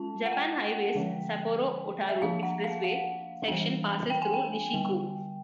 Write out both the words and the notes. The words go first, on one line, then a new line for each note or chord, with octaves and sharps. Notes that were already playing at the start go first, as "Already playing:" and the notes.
Japan Highway's Sapporo-Otaru expressway section passes through Nishi-ku.
Already playing: G#3 C#4 F4 A5
F#5
G5
D3 F3 G#3 C#4
E5
F3 A#3 D4 F4 F5
F#5
F5
F5
E3 G3 B3 D4
G5
G#5
G5
D3 G3 B3